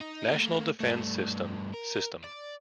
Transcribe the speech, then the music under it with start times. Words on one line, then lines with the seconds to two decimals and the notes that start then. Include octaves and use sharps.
National Defense System System.
0.01 D#4
0.32 A3 A#3
0.80 G2 A3
1.74 A#4
2.24 D5